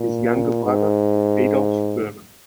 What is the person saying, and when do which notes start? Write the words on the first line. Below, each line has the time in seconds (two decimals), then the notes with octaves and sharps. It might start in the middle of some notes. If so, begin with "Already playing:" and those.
His younger brother was Adolf Berman.
Already playing: A#2
0.65 G#2